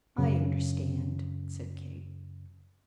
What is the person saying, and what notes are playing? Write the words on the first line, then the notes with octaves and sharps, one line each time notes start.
"I understand," said Kate.
F#2 C#3